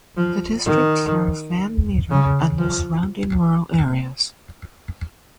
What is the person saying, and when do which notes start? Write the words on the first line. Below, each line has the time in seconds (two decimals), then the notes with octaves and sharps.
The district serves Van Meter and the surrounding rural areas.
0.17 F3
0.65 D#3
2.11 C#3
2.59 F3